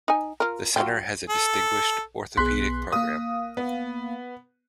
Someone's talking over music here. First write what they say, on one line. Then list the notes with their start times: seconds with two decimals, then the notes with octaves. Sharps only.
The center has a distinguished orthopedic program.
0.08 D#4 G#5
0.40 F4 A#4
0.76 F#3 F4 G4
1.30 A4
2.37 B1 B3 G#4 C6 F#6 B6
2.92 A#3 F5 D#6
3.57 B3